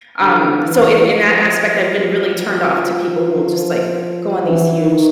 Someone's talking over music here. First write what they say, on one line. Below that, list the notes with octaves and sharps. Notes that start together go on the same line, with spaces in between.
Um, so in in that aspect, I've been really turned off to people who will just, like, go on these huge
D3
E3
E3
F3
F3
E3
D#3